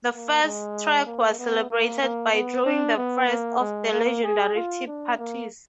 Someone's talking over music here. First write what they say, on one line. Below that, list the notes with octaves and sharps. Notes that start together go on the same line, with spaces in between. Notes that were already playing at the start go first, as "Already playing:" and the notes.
The first track was celebrated by throwing the first of the legendary Tip parties.
A#3
G#3
A#3
B3
A#3
A#3
B3
D4
B3
A#3
G#3
A#3
G#4
F4
D4
A#3